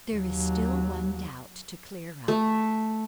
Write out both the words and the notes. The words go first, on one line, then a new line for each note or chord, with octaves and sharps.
There is still one doubt to clear up.
D#2 F#3
A3